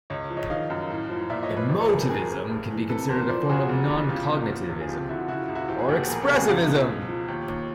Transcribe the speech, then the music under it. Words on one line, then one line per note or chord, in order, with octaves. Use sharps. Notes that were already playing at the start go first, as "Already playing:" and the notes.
Emotivism can be considered a form of non-cognitivism or expressivism.
C#2 C#5 D#5
F3
C#5 D#5
D#3 D#5 F5
F#2
A2
F3
A#2 D5 E5
C#5 D#5
F3
B4 C#5
G#1
A4 B4
G#1 G#4 A#4
G4 A4
F#1 G#4 A#4
F#1
G2
E3
C3 A4 B4
E2 A#4 C5
F3 C5 D5
C#3 F#4 G#4
F1
E2
C#3 F4 G4
F#1
A#1
A#1
G#4
F2 F4 G4
D3 E4 F#4
C#3 E4 F#4
F4
C#2
E4 F#4
F3 F4 G4
F#4 G#4
A#1 G4 A4
E1 G#4 A#4
G4 A4
C#3
F#4 G#4
C#2 F4
B2
F3
F3
D#2 F4 G4
D#2